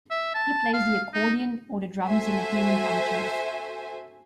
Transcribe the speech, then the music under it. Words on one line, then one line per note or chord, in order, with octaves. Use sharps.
He plays the accordion or the drums in the Heman Hunters.
E5
A5
F5
D#4
F#4 A4 C5 E5 G#5